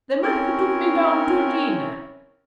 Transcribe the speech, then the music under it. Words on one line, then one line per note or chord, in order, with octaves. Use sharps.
The man who took me down to dinner!
C4 C#4 E4 A#4 C#5